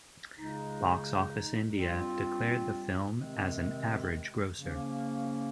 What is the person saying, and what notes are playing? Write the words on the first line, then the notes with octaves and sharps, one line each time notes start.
Box Office India declared the film as an average grosser.
C#2 C#3 G#3 D#4
G2 G3 C4 F4
C3 D#3 G#3 C4
C#3 F3 A#3 C#4